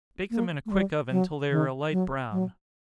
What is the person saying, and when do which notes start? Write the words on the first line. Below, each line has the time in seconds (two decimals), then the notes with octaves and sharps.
Bake them in a quick oven till they are a light brown.
0.31 A#3
0.66 A3
0.71 G3
1.11 F#3
1.50 D#3
1.92 F#3
2.32 F#3